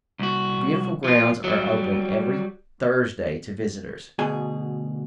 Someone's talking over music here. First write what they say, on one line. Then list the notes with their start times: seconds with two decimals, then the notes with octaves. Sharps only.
The beautiful grounds are open every Thursday to visitors.
0.19 C2 F#4
1.04 F3 F4
1.44 F#3 G3
4.19 D2 B2 G#4 G#5